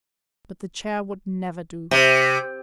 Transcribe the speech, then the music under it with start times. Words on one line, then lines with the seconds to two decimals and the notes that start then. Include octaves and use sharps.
But the chair would never do.
1.91 C3